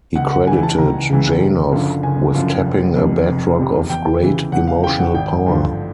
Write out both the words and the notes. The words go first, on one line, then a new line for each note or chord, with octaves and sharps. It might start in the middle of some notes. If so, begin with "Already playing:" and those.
He credited Janov with tapping a bedrock of great emotional power.
C#2 F#5
F#5
C#3 E3 G#5
A5
C#2 A#5
C#3 E3
F#1
F#2 D3 F3
F#1 G#5
F#2 D3 F3
F1
F2 C3
F1
F2 C3
E2 G5
C#3 E3
E2 F#5
F5
C#3 E3 G5
F#5
G#1 G5
G2 D3 F3